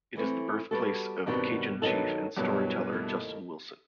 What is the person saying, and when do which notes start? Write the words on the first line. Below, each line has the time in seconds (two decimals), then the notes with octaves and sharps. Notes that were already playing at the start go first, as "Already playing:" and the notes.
It is the birthplace of Cajun chef and storyteller Justin Wilson.
0.16 E3 A3 C4
0.71 G3 B3 F#4 A4
1.26 G2 B2 D#3 G3 C4 F#4 B4
1.82 D#3 F#3 B3 D#4 A4
2.37 E2 G2 B2 D#3 F#3 B3
2.92 D#2 D#3 A3 E4